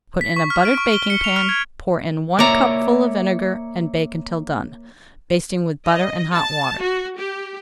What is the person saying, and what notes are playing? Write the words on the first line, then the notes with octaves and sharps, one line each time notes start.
Put in a buttered baking-pan, pour in one cupful of vinegar, and bake until done, basting with butter and hot water.
B6
C#6
F6
D7
C#6
G7
C#7
F7
F6
G#6
A#3 C#5 D5 E5 A#5
D#5
A5
F#4
G4